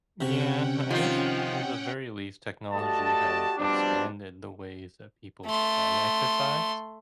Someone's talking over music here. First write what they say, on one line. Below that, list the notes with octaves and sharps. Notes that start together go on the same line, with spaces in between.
Mm yeah, I guess, at the very least, technology has expanded the ways that people can exercise,
C3 C#4 F#4 F#5 G5
D#3 F3 F4
A3 F#4 G4 D5 D#5 A5
B2 F3 G3 C4 D4
A3 C6